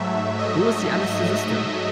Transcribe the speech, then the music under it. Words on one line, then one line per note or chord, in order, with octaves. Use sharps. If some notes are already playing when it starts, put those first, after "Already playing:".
Wo ist die Anästhesistin?
Already playing: G#2 F#3 A3 E5
D#5
E5